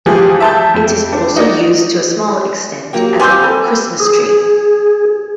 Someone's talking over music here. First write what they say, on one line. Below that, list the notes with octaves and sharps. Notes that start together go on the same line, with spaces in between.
It is also used to a small extent as a Christmas tree.
E3 F3 G3 G4 G#4
E5 A5 G6
F2
D4
D#4 F#4 D5
F#3 A#3 G4
B3 C4 F4 G5 G#5 D6 E6
A4 B5
G#4